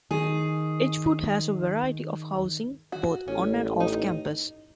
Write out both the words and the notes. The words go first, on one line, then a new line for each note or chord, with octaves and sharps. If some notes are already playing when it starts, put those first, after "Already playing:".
Edgewood has a variety of housing, both on and off campus.
D#3 G#4
F#4
A1 C#4
D#4